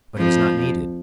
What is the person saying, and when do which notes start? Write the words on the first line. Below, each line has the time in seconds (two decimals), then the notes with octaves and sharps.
But it was not needed.
0.17 F2 F3